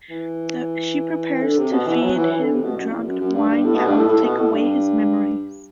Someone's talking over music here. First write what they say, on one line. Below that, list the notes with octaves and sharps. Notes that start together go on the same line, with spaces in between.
She prepares to feed him drugged wine that will take away his memories.
E3
D3
C3
B2
E3
F#3
E3
E3
D3
C3
B2
F#2
E2
F#2
F#2
G2
G2
A2
B2
G2
A2
A2
B2
A2
G2